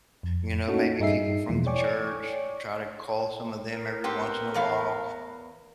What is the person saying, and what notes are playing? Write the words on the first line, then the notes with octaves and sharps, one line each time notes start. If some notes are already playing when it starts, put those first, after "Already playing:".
you know, maybe people from the church, try to call some of them every once in a while.
F2
A#3 C#4 D#4 F#4 A4
G2 D#4 G#4 E5 C7
E2 B2 E3 F3 G#3
C#5 D5 G5 G#5 C#6 D6
A#4
B3 C4 G4
E2 B3 F5